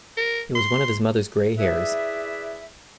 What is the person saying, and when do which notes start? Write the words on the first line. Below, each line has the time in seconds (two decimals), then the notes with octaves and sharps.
It was one of his mother’s grey hairs.
0.17 A#4
0.55 C6
1.58 E4 G#4 B4 D5 E5